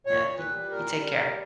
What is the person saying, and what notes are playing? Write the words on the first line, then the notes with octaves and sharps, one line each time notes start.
Yeah. You you take care.
A#2 C#5
A#2
B4
G3
A#2 A#4
G3
A#4
G3